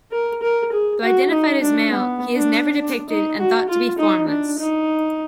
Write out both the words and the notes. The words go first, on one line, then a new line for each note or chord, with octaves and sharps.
Though identified as male, he is never depicted, and thought to be formless.
A#4
A#4
G#4
F#4
D#4
D4
B3
D4
D4
D#4
F#4
F4
D#4
D4
D#4